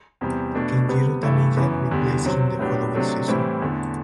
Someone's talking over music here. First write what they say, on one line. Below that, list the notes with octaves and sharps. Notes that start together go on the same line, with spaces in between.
Kenjiro Tamiya replaced him the following season.
E2 C3 G3
B2 A3 D4
C3 G3 B3
G2 E3 A3 E4
F#2 E3 B3
E2 D3 G3
C3 F#3 C4
A2 F#3 B3 D4 G4
C3 F#3 A3 D4
A2 E3 G3 C4 E4
E2 D3 A3